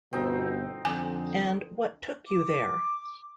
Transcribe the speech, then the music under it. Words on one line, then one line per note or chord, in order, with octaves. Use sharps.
And what took you there?
G1 B2 C4 D#4
F2 D3 G#5
D6